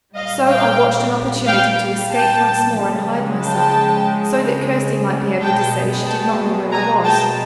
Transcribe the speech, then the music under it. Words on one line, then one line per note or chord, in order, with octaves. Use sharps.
So I watched an opportunity to escape once more and hide myself, so that Kirsty might be able to say she did not know where I was.
A#2 G3 D#5 F5
F5 G5
F5 G5
G5 A5
C#3 F3 G#3
G5 A5
B2 G#3 G5 A5
G5 A5
G#5 A#5
G5 A5